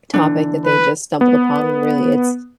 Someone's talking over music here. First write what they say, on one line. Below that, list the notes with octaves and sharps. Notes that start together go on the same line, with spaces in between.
topic that they just stumbled upon when really it's
B2 D3 E3 D4
B4
B3